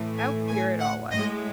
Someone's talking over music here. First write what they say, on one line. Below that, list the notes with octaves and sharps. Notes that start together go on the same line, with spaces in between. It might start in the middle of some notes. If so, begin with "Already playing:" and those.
How queer it all was!
Already playing: A2 E3 A3
G#5
G#5
F#5
A2 G#3 D#5